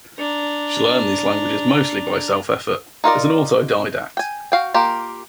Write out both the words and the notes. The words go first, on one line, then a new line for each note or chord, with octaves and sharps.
She learned these languages mostly by self-effort, as an autodidact.
D4 A#5
D#4 F4 A#4 D5
G5 G#5
F#4 F5 G5
A#3 F4 G4